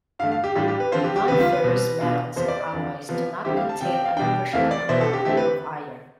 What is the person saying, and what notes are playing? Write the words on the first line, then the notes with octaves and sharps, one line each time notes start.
Non-ferrous metals and alloys do not contain an appreciable amount of iron.
G2 D3 A3 F5
F5
G4
A2 G3 D4 F4 G4
G4
B4
D3 F3 C4 F4 C5
G4
G4
D2 C3 G3 B3 B4
F4
B4
B2 G3 C4
B2 B3 D4 F4
F2 C3 F3 B3 C5
D5
D5
F2 D3 F3
C3 F3 B3 F4
D2 D3 G3 C4 E4 G4
F5
A5
C3 F3 C4 G5
G5
F5
B2 G3 D4 G5
F2 C3 E3 A3 C4 F5
D5
B2 B3 E4 C5
A4
G4
D3 A3 C4 E4 G4
B4